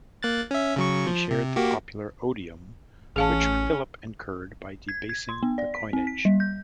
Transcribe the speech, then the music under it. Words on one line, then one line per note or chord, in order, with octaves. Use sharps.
He shared the popular odium which Philip incurred by debasing the coinage.
A#3 F#6 A6
C#4 E5
C#3 F#3 C#6
F3
C3
A#3 F#4 G4
A1 C#4 G#4 F5 A5
G#6
G#6
C6
B3
D5
B6
C4
B6
G3
G6